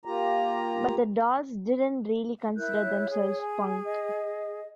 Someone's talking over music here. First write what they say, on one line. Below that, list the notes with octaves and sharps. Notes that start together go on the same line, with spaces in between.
But the Dolls didn't really consider themselves punk.
A#3 F4 G4 A#5
E4 A#4 F#6 G6
C#5
G#4
G#5
D#5